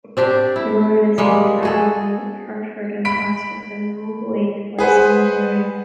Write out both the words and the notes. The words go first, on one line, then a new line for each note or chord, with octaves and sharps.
The Royalist cavalry, Hertford and Maurice with them, rode away towards Salisbury.
C4 D4 G4 D5
E4
G3 G#3 A#3
F#4 G#4 A4
B5 B6 D7
G#4 B4 C5 F#5